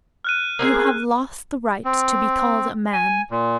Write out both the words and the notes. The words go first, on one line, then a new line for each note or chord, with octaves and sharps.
You have lost the right to be called a man.
F6 F#6 D#7
A#3 C4 G#4
C4
G#5
A#2